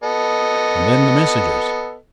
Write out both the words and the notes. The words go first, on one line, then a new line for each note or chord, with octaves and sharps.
And then the messages!
B3 A4 D#5